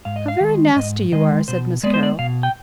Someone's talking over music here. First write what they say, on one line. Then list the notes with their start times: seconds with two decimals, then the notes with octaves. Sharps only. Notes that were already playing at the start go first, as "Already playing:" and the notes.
"How very nasty you are!" said Miss Carroll.
0.05 G#2 F5
0.16 D#5
0.28 F5
0.41 D#3 G#3
0.76 G#2 D#5
1.12 D#3 G#3 D#5
1.48 B2 C5
1.83 G#3 B3 D5
1.94 C5
2.03 D5
2.19 B2 F5
2.43 G5